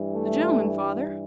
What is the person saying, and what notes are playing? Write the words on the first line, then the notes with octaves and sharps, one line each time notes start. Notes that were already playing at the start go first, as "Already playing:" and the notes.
'The gentleman, father.'
Already playing: G2 E3 G3
A3